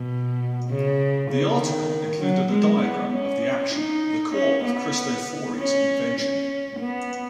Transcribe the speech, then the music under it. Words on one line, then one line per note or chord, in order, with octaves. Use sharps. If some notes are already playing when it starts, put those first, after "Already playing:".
The article included a diagram of the action, the core of Cristofori's invention.
Already playing: B2
C#3
C#3
D#3
F#3
G#3
B3
C#4
D#4
C#4
B3
C#4
C#4
B3